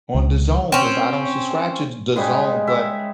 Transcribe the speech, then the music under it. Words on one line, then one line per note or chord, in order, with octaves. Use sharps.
on DAZN 'cause I don't subscribe to DAZN, but
C#2
C4 C#4
G#2 C#3 G3 G#3
E5